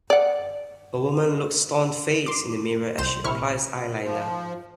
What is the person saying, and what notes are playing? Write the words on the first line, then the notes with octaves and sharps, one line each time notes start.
A woman looks stonefaced in the mirror as she applies eyeliner.
D5 F#5
C6 D6
C2 C5 E7
A#1 C3 E4 C#6 F6
F3